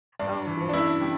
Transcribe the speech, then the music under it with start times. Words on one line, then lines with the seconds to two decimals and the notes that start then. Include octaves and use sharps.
oh man.
0.19 G2 D4
0.47 E3
0.69 D4
0.74 G2 E4
1.01 G3